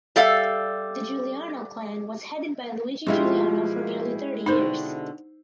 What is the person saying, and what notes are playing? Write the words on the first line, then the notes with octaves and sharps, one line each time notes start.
The Giuliano clan was headed by Luigi Giuliano for nearly thirty years.
G3 A4 E5 F5
B2 F3 G#3 E4 F4 G4
B2 D3 C4 D#4 C5